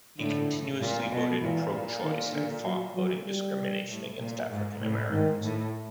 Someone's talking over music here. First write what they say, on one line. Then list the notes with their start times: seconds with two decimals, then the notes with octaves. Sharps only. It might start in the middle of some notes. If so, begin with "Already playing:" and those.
He continuously voted pro-choice and fought voting discrimination against African Americans.
0.18 A2 D3
0.80 A#2
1.11 B2
1.42 A#2 E3
2.03 D#3
2.33 D3
2.65 F#3
2.95 F#3
3.26 G3
3.88 A2
4.19 A#2
4.49 G#2
4.79 A2
5.10 G#2 D#3
5.41 A2